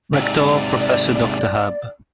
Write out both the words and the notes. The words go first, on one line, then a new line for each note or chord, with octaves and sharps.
Rector: Professor dr hab.
G#2 C3 D5